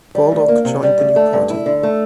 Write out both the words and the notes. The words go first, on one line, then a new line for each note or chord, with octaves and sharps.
Baldock joined the new party.
G3
D2
A#3
C3
G3
D2
A3
G2
E4
D3
A3